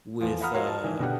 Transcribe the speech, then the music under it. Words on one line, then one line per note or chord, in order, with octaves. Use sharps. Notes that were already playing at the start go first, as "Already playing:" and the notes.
with, uh,
E2 F3
F5 F#5 A#5 B5 D#6 F6
F4 F#4 A#4 C#5 F5
A5
D#3 E3
B2 D3 D4 G4 F#5 F#6